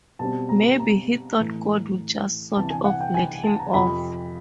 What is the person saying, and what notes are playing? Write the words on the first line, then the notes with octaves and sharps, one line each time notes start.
Maybe he thought God would just sort of let him off.
B2 G3 C4 A5
A#5
A#5
A2 E3 A3
C2 C3 E3 A5
G#5
F#5
G5
G#5
A5
A#5
F2 C3 F3 B5